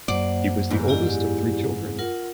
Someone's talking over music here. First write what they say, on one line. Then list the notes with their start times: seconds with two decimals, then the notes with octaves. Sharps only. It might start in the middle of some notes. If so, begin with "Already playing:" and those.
He was the oldest of three children.
0.08 F#2 A#3 C5 D5 F#5
0.71 E2 G#2
0.88 E4 G4 D5
1.99 F4 A#4 F#5